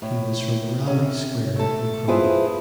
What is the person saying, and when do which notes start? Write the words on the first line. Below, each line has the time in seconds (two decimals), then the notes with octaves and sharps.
He was from Raleigh Square in Crumlin.
0.02 A2
0.87 C3 C#4
1.56 A3 A4
2.08 E4 F4 G#4 B4 C5